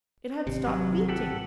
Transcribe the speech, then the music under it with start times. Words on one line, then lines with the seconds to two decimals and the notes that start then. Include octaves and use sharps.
It had stopped beating.
0.47 G#1 C3
0.67 F#3
1.09 G4 A4 F#5